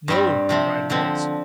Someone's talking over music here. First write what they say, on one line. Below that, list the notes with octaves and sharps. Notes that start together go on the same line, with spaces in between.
"No," cried Wallace.
G2 G3 C4
C3 F3 C4
D3 F3 C4